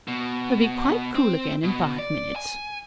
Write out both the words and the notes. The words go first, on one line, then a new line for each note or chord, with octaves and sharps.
He'll be quite cool again in five minutes.
B2
C4
B2
D5
G#5